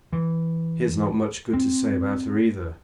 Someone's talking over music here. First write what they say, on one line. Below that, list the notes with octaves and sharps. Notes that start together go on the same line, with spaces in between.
"He has not much good to say about her either."
E3
C4